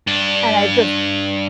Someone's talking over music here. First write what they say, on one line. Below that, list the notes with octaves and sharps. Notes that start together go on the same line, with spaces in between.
and I've just
G2 D4